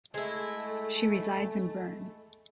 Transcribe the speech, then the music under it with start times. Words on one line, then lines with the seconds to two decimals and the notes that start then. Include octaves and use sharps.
She resides in Berne.
0.14 G#3 A3 E4